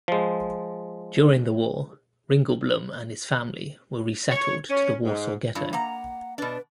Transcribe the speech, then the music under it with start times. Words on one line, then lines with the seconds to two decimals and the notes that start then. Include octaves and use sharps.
During the war, Ringelblum and his family were resettled to the Warsaw Ghetto.
0.08 F3 G#3
4.32 C#5
4.70 C#4
5.04 G#2
5.55 G2 F4
5.73 A#3 F#5 A#5
6.38 B2 D4 B4